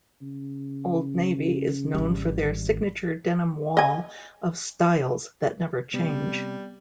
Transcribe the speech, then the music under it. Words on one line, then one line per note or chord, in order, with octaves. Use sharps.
Old Navy is known for their signature denim wall of styles that never change.
C#3
G#1 G3
D#5 G#5
C3 G3 B3